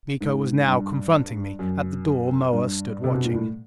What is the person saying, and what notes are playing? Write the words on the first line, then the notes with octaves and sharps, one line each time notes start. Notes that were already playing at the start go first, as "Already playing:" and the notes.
Miko was now confronting me: at the door Moa stood watching.
G#2
G2
F#2
G2
C3
B2
A#2
A2